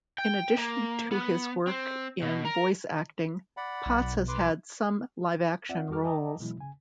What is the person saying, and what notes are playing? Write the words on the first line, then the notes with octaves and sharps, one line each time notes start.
In addition to his work in voice acting, Potts has had some live-action roles.
G5
A#3
B3
C4
B2
A#4
D5 F#5 B5
B1
B4 C6 D6
C4 F4 D5 E5 F#5
F2 G3 F#4 A4 D6 F6
D#5 G5 A5 A#5 D6 D#6
B2 E3 F#3 G#3 E4
C#3 G#5